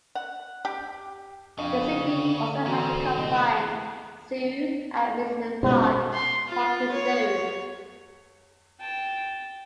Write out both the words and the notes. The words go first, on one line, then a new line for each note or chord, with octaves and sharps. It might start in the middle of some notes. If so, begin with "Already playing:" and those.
The city also has a combined zoo and amusement park - Parken Zoo.
F#5
G4
F2 C#3 D4 D5 F5 G5
D3
G#2 E3 F#4
C3 A3 C4 E4 G4 D#5
B2 G#3 C#4 C5
C6
F4
C#5
G5 A5